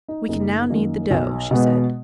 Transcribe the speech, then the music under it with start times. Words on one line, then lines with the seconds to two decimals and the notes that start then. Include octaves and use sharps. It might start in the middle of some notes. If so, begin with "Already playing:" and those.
"We can now knead the dough," she said.
0.08 D#4
0.29 F#1 D#4
0.70 F#2 D#3 A#3
1.11 B1
1.51 B2 G#3 B3